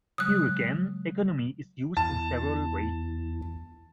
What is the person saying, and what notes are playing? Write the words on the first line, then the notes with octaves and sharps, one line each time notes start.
Here again, "economy" is used in several ways.
C#3 F#3 G#3 D#6 F#6
E2 A5